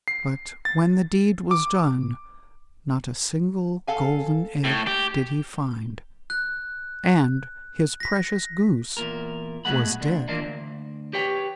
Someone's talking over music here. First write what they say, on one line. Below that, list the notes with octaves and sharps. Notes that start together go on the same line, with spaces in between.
But when the deed was done, not a single golden egg did he find, and his precious Goose was dead.
C7
A6
D6
A4 F5 G#5
A2
G4
F#6
A#6 B6
E2 G2 A#2 A#4
B1 B2 G#3 A3 F#5 B5
D2 D3
D#2 A#2 E3 A#3 D4 D#4
D2
G4 B4 C#5 G5